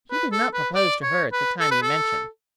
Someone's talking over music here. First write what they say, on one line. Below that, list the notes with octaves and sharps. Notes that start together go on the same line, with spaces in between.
He did not propose to her at the time you mention.
B4
A4
B4
D5
C#5
B4
A4
B4
A4